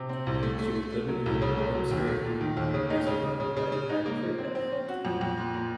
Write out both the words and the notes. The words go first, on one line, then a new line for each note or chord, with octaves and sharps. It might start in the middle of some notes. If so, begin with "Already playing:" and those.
She was living in an Ormskirk nursing home by the time of her death.
Already playing: C3
C4
C2
A3
A3
A3
A3
F#3
C2
C#3
A3
F#3
D#2
A3
A#2
D#3
D#2
C#3
D#4
C#3
C#3
C#3
C#3
C#3
D#4
A#3
F3
C4
C4
C#4
F#4
F2
F2
A#2
A#2